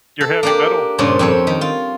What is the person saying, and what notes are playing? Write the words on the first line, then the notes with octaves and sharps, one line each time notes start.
Your heavy metal?
A4
A#3 D4 G4
G2 A#2 C#3 C5 C#5
F2 C4 C#5
D#3
F4